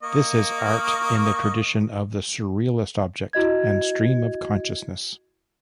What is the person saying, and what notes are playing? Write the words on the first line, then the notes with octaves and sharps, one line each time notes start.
This is art in the tradition of the Surrealist object and stream of consciousness.
A#3 D#5 C#6
E4 F#4 D#5 G#6